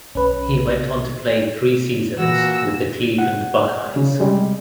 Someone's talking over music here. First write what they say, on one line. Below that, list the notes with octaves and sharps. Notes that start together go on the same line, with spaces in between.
He went on to play three seasons with the Cleveland Buckeyes.
B1 C#4 B4
A#2 E3 F#4 F#5 E6 A#6
F#5
C#3
C3 G3 G#3